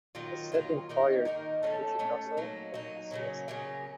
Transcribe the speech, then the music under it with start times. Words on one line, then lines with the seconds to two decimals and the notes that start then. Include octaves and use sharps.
Setting fire to Minakuchi Castle, he committed suicide.
0.15 D#3 F#3 A#3 F4
0.52 D#3 F#3 A#3 F4
0.89 D#3 A#3 D#4 A#4
1.25 D#3 A#3 D#4 A#4
1.63 A3 C#4 A4 C#5
1.99 A3 C#4 A4 C#5
2.37 F#3 A#3 D#4
2.74 F#3 A#3 D#4
3.11 C#3 F#3 A#3 C#4
3.48 C#3 F#3 A#3 C#4